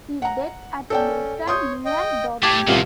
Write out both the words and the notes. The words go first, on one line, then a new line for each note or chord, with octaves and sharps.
He died at Milton, near Dorking.
F#5 A#5
C#4 A4 D5 G5
C#5 C6 D#6 G6
D#5 G5
A2 A3 G4 A5 D6 G#6
D#1 C2 A#2 F4